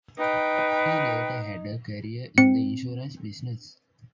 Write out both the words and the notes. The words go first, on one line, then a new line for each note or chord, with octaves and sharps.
He later had a career in the insurance business.
D#4 B4 G5
C4 C#7